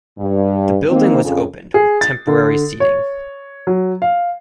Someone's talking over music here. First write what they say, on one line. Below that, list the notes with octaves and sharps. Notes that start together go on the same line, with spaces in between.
The building was opened with temporary seating.
G2
D#3 A#3 C4
F2 C#3
G#4
A6
D3
C#5
F#3
F5